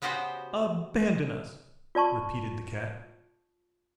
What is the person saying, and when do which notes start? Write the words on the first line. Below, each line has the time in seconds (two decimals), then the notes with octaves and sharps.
"Abandon us," repeated the Cat.
0.02 C#3 B3 F#4 G4 C5 G5
1.95 F4 D5 A5 C#6